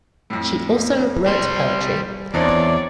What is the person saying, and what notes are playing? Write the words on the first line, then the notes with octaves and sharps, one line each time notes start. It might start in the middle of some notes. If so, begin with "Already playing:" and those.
She also wrote poetry.
F2 A2
G3 C5
E2 C4 D4 D#4 C#5 D5